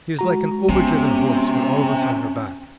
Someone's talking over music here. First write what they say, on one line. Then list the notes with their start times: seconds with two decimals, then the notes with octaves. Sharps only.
She is like an overdriven horse with all of us on her back.
0.19 G#3 F#4 A#5
0.69 C3 B3 C#4